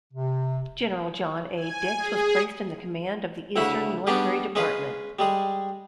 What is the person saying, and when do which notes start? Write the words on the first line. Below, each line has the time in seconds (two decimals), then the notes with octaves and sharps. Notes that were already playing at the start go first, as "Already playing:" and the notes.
General John A Dix was placed in the command of the Eastern Military Department.
0.13 C3
1.56 G#5
1.98 G#4
3.56 D2 C#3 E4 F#5 B5 C#6
4.07 G3 B3 C#4 D4 G4 G#4
4.55 G#3 C#4 G#4 B4 F5
5.19 G3 G#3 G#4